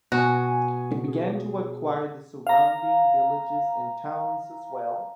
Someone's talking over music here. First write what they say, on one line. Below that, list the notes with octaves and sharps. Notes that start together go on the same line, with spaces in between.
It began to acquire the surrounding villages and towns as well.
B2 F#4 G#5
G#4
F5 A#5